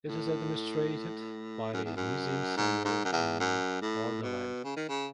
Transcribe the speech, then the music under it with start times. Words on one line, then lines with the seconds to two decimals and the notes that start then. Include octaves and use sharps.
It is administrated by the Museum Centre in Hordaland.
0.08 A2
1.73 F#2
1.85 E2
1.96 F#2
2.57 G#2
2.85 G#2
3.05 F#2
3.12 E2
3.40 F#2
3.81 A2
4.22 B2
4.64 C#3
4.76 D#3
4.89 C#3